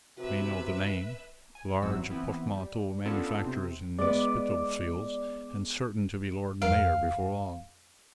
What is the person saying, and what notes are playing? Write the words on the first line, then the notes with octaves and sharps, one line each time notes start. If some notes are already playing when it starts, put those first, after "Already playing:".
You may know the name--large portmanteau manufacturers in Spitalfields and certain to be Lord Mayor before long.
C3 F#4 B4 E5
G#5
G1 F#2 E3 F#3 C4 E6
E3 B3 C4
G3
B3 C#4 D4 F4 A4 A#4
C3 C4
G#3 B3 D5 D6
F2 A#4 F5 D7